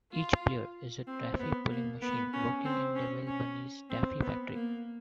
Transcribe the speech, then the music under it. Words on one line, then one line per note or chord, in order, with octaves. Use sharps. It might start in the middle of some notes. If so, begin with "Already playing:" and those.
Each player is a taffy pulling machine working in Devil Bunny's taffy factory.
F4
C4
B3
A#3
B3
C#4
C4
C#4
C#4
C4
B3
A#3